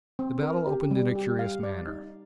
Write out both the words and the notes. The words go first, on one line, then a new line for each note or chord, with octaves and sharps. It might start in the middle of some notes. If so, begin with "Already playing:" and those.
The battle opened in a curious manner.
C4
A#4
G4
G3
G4
F5
D5
D#4